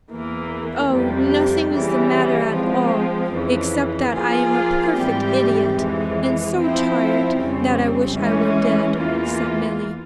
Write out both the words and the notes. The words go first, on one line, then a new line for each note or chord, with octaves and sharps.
"Oh, nothing is the matter at all, except that I am a perfect idiot, and so tired that I wish I were dead," said Milly.
E2 E3 A#3
F2 C3 G3
C#3 E3 G3
F3 G#3 C4
F2 C#3 E3
F3 A#3 F4 G#4
G#2 E3 G3 C4 G4
F2 E3 G#3
F3 C4 E4
F2 C#3 G3 C4
E3 G#3 C#4
E2 E3 A#3 F4